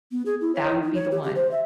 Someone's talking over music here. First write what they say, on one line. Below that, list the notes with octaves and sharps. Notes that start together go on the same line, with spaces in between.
that would be the one.
B3
G#4
E4
C#5
E4
D#4
C#5
G4
G4
C5
E5